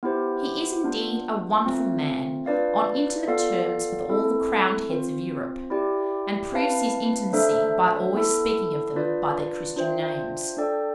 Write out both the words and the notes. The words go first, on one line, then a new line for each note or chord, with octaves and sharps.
He is, indeed, a wonderful man--on intimate terms with all the crowned heads of Europe, and proves his intimacy by always speaking of them by their Christian names.
B3 E4 G4 C5
B3 D4 F4
A3 C4 F4
D4 F4 B4 D5 F5
B3 F4 A4 D5 F5
C4 E4 A4
C4 F4 C5
E4 G4 D5 G5
C4 E4 B4 F5 A5
A3 D4 A4 C5 E5
B3 E4 A4
D4 F4 B4 D5
D4 F4 C5 E5 G5
D4 A4 D5 G5